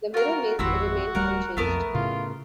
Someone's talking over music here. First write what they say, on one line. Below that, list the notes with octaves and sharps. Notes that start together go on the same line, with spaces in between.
The Mirror Maze remained unchanged.
F4 F#4 A#4
G#1 F2 C4 E4 F#4 E6
D1 G3 A#4 F#5
B1 F2 A3 B3 A#4
A2 C#3 F4